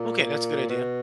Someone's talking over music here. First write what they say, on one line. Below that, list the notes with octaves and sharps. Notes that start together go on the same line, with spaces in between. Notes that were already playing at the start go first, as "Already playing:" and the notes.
Okay, that's a good idea.
Already playing: A#2
B2